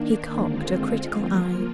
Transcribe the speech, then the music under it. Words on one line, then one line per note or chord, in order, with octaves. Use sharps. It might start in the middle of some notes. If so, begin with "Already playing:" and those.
He cocked a critical eye.
Already playing: D#3 A#3 D4
D3 G#3 C4 F4
F3 A#3 F4